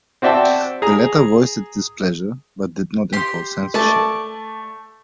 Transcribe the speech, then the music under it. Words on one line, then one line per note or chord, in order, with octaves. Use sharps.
The latter voiced its displeasure, but did not impose censorship.
C4 F#4 D5 E5 G5 A5
G#4 A#5
G4 C6
A3 D5 A5